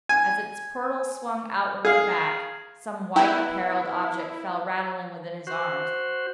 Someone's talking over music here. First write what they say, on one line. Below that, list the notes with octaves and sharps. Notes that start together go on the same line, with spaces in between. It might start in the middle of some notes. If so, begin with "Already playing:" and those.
As its portals swung outwardly back, some white-apparelled object fell rattling within his arms.
G#5
G#4 F5
B3 E4 G4
F#4 C5